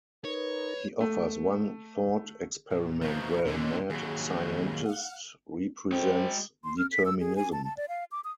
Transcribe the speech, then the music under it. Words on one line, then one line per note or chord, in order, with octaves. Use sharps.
He offers one thought experiment where a mad scientist represents determinism.
D#4 A#4 B4 C#5
A3
A#2
B2 F3 A#5
D#2 A#2 D3 C#4 D#4
D#2 F#3 G#4
F5 F#5
G#3 C5 G5
C6
F6
B6
E6
G#4
G#5
A5
A5
D5
F5
D6
D#6